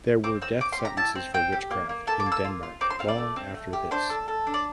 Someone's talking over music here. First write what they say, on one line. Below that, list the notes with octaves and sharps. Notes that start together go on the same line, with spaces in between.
There were death sentences for witchcraft in Denmark long after this.
C4 D6
C4 E6
C4 D6
C6
G4
A#5
E4 A5
C4
C4 G5
G4
A#3
A#3
A4 A5
D6
A#3
E6
F4
F4
C4 D6
C6
C4 F5
D5
A3
C4
A3
G4
D4 C5
A4
A4
D4
D5